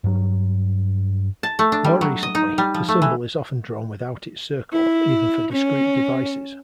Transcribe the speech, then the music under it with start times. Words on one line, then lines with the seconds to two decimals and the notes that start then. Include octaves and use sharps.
More recently, the symbol is often drawn without its circle even for discrete devices.
0.04 G2 F#3
1.43 A5
1.59 A3
1.72 D4
1.84 G3
2.01 F#3
2.23 D#5
2.35 D#4
2.58 G3
2.74 F3
2.88 A3
3.02 E3
4.73 E4
5.52 C#4